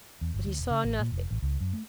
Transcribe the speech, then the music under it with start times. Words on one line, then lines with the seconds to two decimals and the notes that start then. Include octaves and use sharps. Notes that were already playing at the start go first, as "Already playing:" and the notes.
But he saw nothing.
0.21 E2
0.34 G1
0.46 D2
0.58 E1
0.71 C#3
0.84 A1
1.00 A#2
1.12 F1
1.31 A1
1.42 C#2
1.60 F#2
1.73 A3